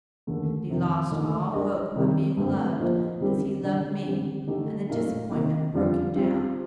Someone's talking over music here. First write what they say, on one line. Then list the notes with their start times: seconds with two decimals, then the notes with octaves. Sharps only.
But he lost all hope of being loved as he loved me, and the disappointment broke him down.
0.27 D#2 D3 A3
0.69 F2 C3 D#3
1.11 D#2 D3 A3 D#4
1.54 G3 D4 G4 A#4 D#5
1.96 C3 D#3 G3 C4
2.37 G2 D3 A3 C4
2.79 F3 A#3 F4 C5 D#5
3.21 D3 G3 C4 D#4 A#4
3.63 D3 G3 D4 G4
4.05 D3 G3 C4
4.47 D3 A3 D#4 G4
4.89 A#2 A3 D#4 A#4 F5
5.31 C3 D#3 A#3 D#4
5.73 F2 D3 G3 D4 F4
6.15 G3 C4 F4